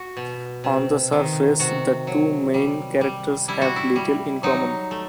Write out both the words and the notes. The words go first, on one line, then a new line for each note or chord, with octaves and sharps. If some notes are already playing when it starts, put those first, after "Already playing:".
On the surface, the two main characters have little in common.
Already playing: F#4
B2
C3
D#3
C3 F#4
F#3
G3
G3
G3 E4
F#4
E4
G3
F#3 D#4
A3